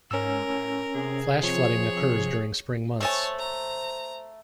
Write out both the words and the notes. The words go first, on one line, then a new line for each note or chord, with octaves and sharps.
Flash flooding occurs during spring months.
G#2 C#4 A#4 E6
A2
C3 G#4
F3 C#5
A3 C5 C#5 D#5 G#5 A5
A#5